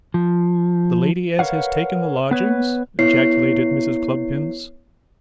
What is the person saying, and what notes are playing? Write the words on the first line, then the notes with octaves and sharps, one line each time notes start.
The lady as has taken the lodgings!' ejaculated Mrs. Cluppins.
F3
A#4 B4 C#5 F5 F#5
B3 B4 C#5
B3 E4 C#5 C7